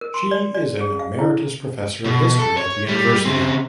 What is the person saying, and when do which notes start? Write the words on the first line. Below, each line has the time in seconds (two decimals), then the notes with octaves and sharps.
She is an emeritus professor of history at the university.
0.01 A#4
0.14 C6
0.31 D5
0.54 D5
0.81 G#4
0.99 F5
1.19 E4
2.05 B2
2.39 A4
2.58 C#5
2.88 G3
3.25 C#3 C4